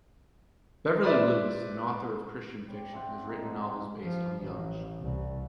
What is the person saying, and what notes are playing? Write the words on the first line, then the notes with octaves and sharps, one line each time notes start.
Beverly Lewis, an author of Christian fiction, has written novels based on the Amish.
B4 C5 D5 E5
G3 C#5 D5
A3 C4 F#5
D3 D#4
F3 F#3
F3
A1
C2